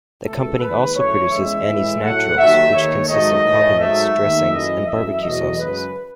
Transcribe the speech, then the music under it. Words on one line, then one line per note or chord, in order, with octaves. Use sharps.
The company also produces Annie's Naturals, which consists of condiments, dressings, and barbecue sauces.
C#2 B2 A3 A4
D#2 D#3 G#3 B4
F#2 E3 A3 C#5
E2 C#3 G#3 E5
A2 E3 G#3
A2 F#3 A3 F#5
D#2 D#3 F#3 A3 E5
D#2 D#3 A3 C#5
G#2 D#3 F#3 A3 D#5
A2 E3 A3
G#2 F#3 A3 E5
D#2 D#3 A3
F#2 E3 A3 D#5
F#2 E3 A3 E5
E2 B2 F#3 A3 D#5
F#2 C#3 G#3 B4